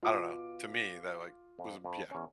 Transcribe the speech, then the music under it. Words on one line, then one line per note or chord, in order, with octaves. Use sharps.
I don't know, to me, that, like, was b yeah.
B2 F4 D6
F2
F2
E2 C#4